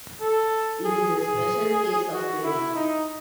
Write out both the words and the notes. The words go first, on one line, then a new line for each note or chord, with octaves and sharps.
It is a special case of fading.
A4
G#4
G#4
F#4
E4
D#4